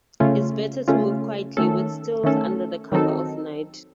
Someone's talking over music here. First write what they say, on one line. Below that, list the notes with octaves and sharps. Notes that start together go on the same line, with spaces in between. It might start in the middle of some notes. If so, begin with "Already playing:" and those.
It's better to move quietly, with stealth, under the cover of night.
C#3 A3 C#4 F4
C#3 A3 C#4 F4
D#3 A3 C#4 A4
D#3 A3 C#4 A4
D#3 F#3 C4 D#4 A4